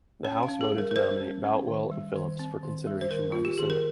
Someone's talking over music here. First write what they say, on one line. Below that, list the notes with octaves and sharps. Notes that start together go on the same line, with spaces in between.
The House voted to nominate Boutwell and Phillips for consideration by the Senate.
C#4 C#5
F5
C#4
G#4
G3
A#4
A#4
G3 C5
C#4
C#4
D#3
G3
D#3
C4
D#3
G3
C5
D#3 A#4
A#3 F4
G4
D#3 G#4
A#4